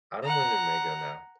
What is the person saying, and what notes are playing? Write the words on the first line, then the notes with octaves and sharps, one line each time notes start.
I don’t live in Maigo now.
F#5 A#5